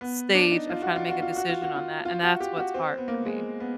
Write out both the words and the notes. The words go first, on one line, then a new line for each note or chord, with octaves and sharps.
stage of trying to make a decision on that, and that's what's hard for me.
B3
D4
D#4
F4
F#4
F4
F#4
F4
F#4
F4
F#4
F4
F4
F#4
G4
F#4
C4
B3
A#3
G#3
B3